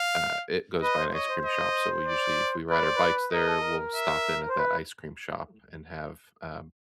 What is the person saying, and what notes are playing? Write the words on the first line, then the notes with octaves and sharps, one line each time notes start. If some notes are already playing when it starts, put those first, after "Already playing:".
uh, it goes by an ice cream shop, so we usually if we ride our bikes there, we'll stop in at that ice cream shop and have, um
Already playing: F5
B4 D#5
C5
C#5 D#5
C5
D#5
D5
B4 D5
C5
B4
A#4 D#5
A4
A#4
E5
C5
B4